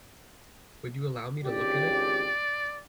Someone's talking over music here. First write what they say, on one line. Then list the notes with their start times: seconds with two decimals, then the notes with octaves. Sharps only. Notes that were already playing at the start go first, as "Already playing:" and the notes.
Would you allow me to look at it?
1.44 G#1 C#2 G4 D5